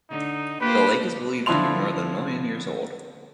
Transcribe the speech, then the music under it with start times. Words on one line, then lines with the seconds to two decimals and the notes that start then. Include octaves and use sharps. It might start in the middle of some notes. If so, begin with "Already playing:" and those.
The lake is believed to be more than a million years old.
0.10 D3 D#4
0.61 A#3 F4 G4 B4 C5
1.46 D3 F3 E4 C6 F7